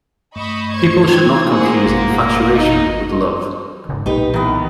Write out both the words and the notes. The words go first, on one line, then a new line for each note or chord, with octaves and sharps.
People should not confuse infatuation with love.
G2 A3 D#5 B5 C#6
C5 C#6 G#6
C4 D#4 E4 G#6
A#3 G#4 C5 F#5
G#1 F#2 B2 F#5
D#4
G#2 C#3
B1 A#2 D#4 G4 B4
D#3 E3 B3